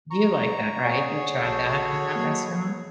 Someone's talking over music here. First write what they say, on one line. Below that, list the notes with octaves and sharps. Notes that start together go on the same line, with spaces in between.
you like that, right? You tried that in that restaurant?
A#5 C#6
G#4 C#5 D5 F#5 G#5
A#1 F#4 A4 B5 G6
F#3 A#3